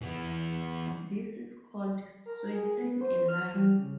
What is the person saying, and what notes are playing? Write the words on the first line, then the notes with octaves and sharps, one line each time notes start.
This is called "sweating a line".
E3 B3
A#4
G#4
B3
C5
F6
G3
C#3